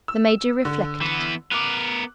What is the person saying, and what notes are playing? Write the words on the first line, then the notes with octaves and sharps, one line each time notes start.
The Major reflected.
E6
D3
E3 B3
B3 A#4 D6 F#6